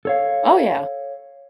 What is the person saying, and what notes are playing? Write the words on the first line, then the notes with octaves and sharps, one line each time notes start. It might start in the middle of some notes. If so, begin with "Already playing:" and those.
Oh yeah,
A4 C#5 F5